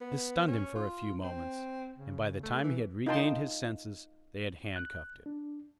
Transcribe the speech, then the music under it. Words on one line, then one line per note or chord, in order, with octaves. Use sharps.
This stunned him for a few moments, and by the time he had regained his senses they had handcuffed him.
B3
C#4
F4
C4
C#3
A3
E3
D#4 F4 A#4 G5 A5 C6
F#6
D4